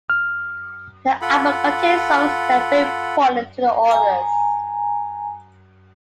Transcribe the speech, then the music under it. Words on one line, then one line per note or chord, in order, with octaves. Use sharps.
The album contained songs that were very important to the authors.
F6
F4 A4 F#5 B5
G#5 A#5